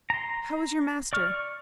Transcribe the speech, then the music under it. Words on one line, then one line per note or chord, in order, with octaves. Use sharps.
How is your master?
A#5 C6
D5 C#6 F6